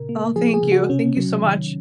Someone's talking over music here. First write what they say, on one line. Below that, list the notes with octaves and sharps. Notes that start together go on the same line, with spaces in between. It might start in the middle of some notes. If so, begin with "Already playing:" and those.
Oh, thank you, thank you so much.
Already playing: A#2 C#3 A#4
A#3
F3 G#4
G#4
C#3
F#4
C3 C#4
F#3
D#3